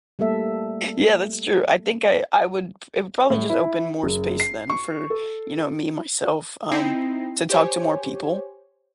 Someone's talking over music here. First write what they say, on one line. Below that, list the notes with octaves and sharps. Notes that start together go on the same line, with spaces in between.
Yeah, that's true. I think I I would it would probably just open more space then for, you know, me, myself, um, to talk to more people,
G3 A3 A#3 A4 E5
A2
E4
F#1
C7
C#6
A4
C4 D#4 E4 G5 A#6 C7
G4 C5 C#5 G#5